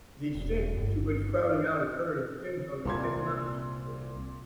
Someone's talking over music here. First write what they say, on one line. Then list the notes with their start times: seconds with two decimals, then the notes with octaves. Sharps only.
The extent to which crowding out occurs depends on the economic situation.
0.35 E1
0.77 G1
2.85 C2 A#2 C6 G#6